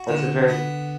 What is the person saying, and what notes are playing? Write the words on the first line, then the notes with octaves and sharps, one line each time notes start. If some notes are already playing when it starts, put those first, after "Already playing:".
That's a very
Already playing: F#4
D3
B3